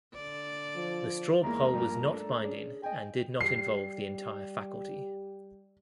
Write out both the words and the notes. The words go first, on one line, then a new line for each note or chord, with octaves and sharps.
The straw poll was not binding and did not involve the entire faculty.
D3 D5
F3
E2 G#3 A#3 A#5
G2 F3 A#3
A3 D4
C#4 D4 G#4
D#5 G5 G#5
G3 C7